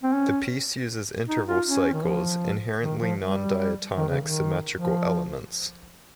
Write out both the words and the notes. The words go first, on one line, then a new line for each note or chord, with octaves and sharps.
The piece uses interval cycles, inherently non-diatonic symmetrical elements.
C4
C#4
D#4
F4
C#4
D#3
F3
D#3
F3
G3
D#3
C#3
D#3
F3